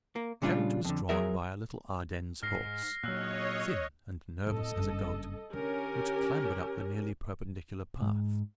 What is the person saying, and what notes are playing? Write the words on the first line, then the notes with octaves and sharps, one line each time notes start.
The carriage was drawn by a little Ardennes horse, thin and nervous as a goat, which clambered up the nearly perpendicular path.
A#3
A#2 C#3 G3 D4 F4
F2 D3
F#3 G#4 A#4 E5
G#2 F6 A#6 C7
A#2 F#3 C#5 D#5 E6 F#6
A2 C4 A4 D#5
F#1 G2
D3 C#4 G4 A#4
G#2